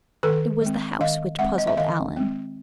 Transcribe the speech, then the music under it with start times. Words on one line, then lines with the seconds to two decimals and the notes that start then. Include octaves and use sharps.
It was the house which puzzled Alan.
0.23 D#3 A4 B4
0.62 G#3 C4
1.00 D#3 D#5 F5
1.39 G#3 C4 E5 F#5
1.58 D#5
1.67 E5
1.77 D#3 D#5 F5
2.16 G#3 C4